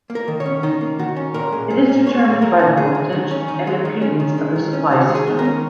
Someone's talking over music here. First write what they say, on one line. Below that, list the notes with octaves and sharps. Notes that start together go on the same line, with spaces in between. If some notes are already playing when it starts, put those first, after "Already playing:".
It is determined by the voltage and impedance of the supply system.
A#3
A#4
D#3
C#5
C#4
D#3 D#4
A#3
D#3 F#4
C#4
A#2 A#4
G#3
A#2 G#4
C#4
A#2 C#5
G#3
A#2 A#4
C#4
D#3 G#4
G#3
D#3
C#4
D#3 D#4
G#3
D#3
C#4
D#3
G#3
D#3
C#4
D#3 F#4
G#3
G#4
D#3
A#4
C#4